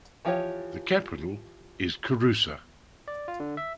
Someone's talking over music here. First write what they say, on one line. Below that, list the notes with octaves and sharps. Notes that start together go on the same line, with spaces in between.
The capital is Kouroussa.
E3 F3 F4 G4 C#5
D5
F4
D3
E5